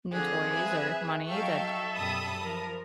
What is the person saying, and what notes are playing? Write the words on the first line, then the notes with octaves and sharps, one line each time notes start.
new toys or money that
D3 F3 C4 G#4 F#6
B4 E5 G#5
F3 F#3 D#4 A4 E5 F5 G5 C#6
F#2 B2 G3 A5 B5 D#6
F3 A#4